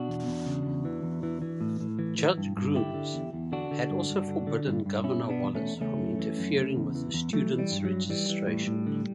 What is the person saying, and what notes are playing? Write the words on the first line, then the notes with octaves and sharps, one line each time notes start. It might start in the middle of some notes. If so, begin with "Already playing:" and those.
Judge Grooms had also forbidden Governor Wallace from interfering with the students' registration.
Already playing: B2 D4 F#4
E2
E2
C#3
E2
E3
E2
E3
E3
A2
A2
E3
E3
G2
G2
D3 E4 G4
D3
E2
E2
D3 D4 F#4
D3
G2
G2
D3
D3
G2
G2
B2 C#4 E4
B2
B3 D4
E2
A3 C#4
E2
C#3 A3 C#4
F#2
E3
F#2
C#3
E2
E3
E2
E3 F#3 A3
E3
G3
G2
F#3
G2
E3 G3
E3
A2
A2
D3